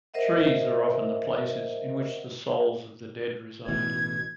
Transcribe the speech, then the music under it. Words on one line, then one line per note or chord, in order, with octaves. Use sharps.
Trees are often the places in which the souls of the dead reside.
A#4 C5 D#5 E5 F#5
A1 B2 E3 G#6